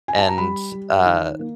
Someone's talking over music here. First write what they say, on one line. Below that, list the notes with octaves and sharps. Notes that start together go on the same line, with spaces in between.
and, uh-
G#5
A5
A#5
G3 B5
G3
D#3
A#3